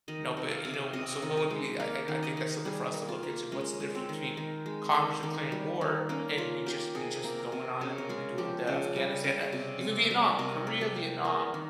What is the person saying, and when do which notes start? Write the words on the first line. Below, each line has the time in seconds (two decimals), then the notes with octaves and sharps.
you know, but, you know so what would be I and I think that's something for us to look into. What's the difference between Congress declaring war and we just we just going on and doing the Afghanistan ah, even Vietnam, Korea, Vietnam,
0.08 D#3 D#5
0.37 C3
0.51 F5
0.65 C3
0.73 F5
0.93 C3 D#5
1.22 D#3
1.37 D#5
1.50 G#3
1.79 A#3 F5
2.08 D#3
2.23 D#5
2.37 D#3
2.65 G3 G#4
2.94 A#3
3.09 F4
3.23 A#3
3.52 G#3 C#4
3.80 G#3
3.95 C4
4.09 D#3
4.37 D#3
4.66 G#3
4.95 D#3
5.23 D#3
5.52 G3
5.81 D#3
6.09 A#3 C#4
6.38 A#3 F4
6.66 A#3 G4
6.95 C3 G#4
7.24 A#3
7.39 A#4
7.52 C3
7.81 C#3 C#5
7.98 A#4
8.09 G#3 G#4
8.38 F3 G4
8.67 C#3
8.96 G3
9.24 C#3
9.52 C3
9.81 C3
10.11 G3
10.39 C3 A#4
10.67 A#3
10.81 G4
10.96 A#3
11.25 A#3 A#4
11.54 D#3